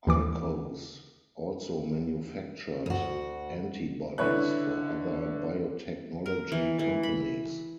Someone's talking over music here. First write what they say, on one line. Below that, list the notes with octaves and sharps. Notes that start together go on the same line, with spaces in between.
Icos also manufactured antibodies for other biotechnology companies.
D#2 E3 D6
D2 F#4
D3 E4 B4 C#5 F#6
A#4
E3
E3
B5